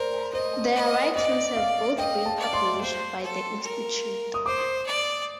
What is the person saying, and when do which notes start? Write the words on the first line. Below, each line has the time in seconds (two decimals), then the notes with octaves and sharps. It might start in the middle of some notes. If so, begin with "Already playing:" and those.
Their writings have both been published by the Institute.
Already playing: A#4 C5 D5
0.33 C5 D#5
0.75 D#5
1.16 D5 D#5
1.56 F5
1.98 D#5 G5
2.26 A5
2.39 D5
2.53 C6
2.81 C5
3.22 A4
3.63 A#4
4.34 D#6
4.46 C5 D6
4.86 D5